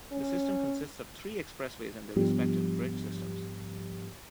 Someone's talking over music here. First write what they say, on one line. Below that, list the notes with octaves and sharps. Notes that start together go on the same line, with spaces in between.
The system consists of three expressways and their respective bridge systems.
C#4
G#2 F3 G3 B3 D4 G4